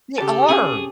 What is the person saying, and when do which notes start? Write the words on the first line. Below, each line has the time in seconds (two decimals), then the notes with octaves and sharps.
They are.
0.18 C#3 G4 A4 A5
0.49 C3 C#4 G#4 C#5